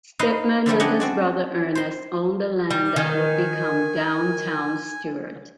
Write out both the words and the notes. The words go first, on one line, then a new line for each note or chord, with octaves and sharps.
Stypmann, with his brother Ernest, owned the land that would become downtown Stuart.
D#4 B4 C5 D#5 F5
D3 F3 G3 A3
C#4 D4 G4 D#5 F#5 G#5
C4 F#4 D5
C5 C6
G3
D#3 G#5